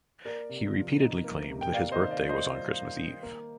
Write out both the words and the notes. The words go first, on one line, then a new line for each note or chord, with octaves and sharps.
He repeatedly claimed that his birthday was on Christmas Eve.
A#3 A#4 D5
C3
F3
D#4
A#3
C3
G5
A#3 D5 F5
C5 D#5
D#3
D5 F5
G3
C5 D#5
F4
A#3
D#3
A#3